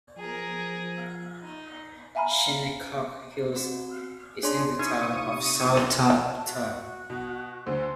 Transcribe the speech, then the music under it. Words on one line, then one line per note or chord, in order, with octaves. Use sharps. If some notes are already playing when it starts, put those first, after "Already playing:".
Shinnecock Hills is in the Town of Southampton.
F3 G#4 A#4
D#4
E5 F5 G#5 A#5 B5 F6
C4 F#4
D4 G#4 C#5 C6
C3 D#4 E4 C#6 D#6
A5
F#4
B2
D2 D3 C5